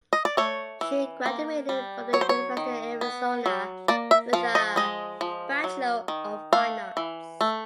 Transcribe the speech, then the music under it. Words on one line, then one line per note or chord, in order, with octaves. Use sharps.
She graduated from the University of Arizona with a Bachelor of Fine Arts.
D#5
D5
A3 C#5
E3
A#3
G3
F#3 C#5
C5
C#5
D#3
B3
F#3
A#3 D5
E5
F3 F5
D#5
G#3 D#5
F3
F#3
D#3
A3 F5
E3
A3